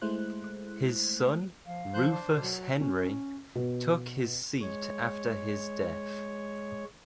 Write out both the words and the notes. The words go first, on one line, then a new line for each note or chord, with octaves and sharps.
His son, Rufus Henry, took his seat after his death.
G#3 A3 E4 C5 F#6
F3 F5
F3 C5 F#6 G6
D4 C5
B2 A4
F#3
C#4
B2
G#3 C#5